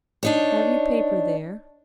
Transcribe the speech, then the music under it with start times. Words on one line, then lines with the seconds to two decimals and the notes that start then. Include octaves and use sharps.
Have you paper there?
0.23 D4 D#4 C#5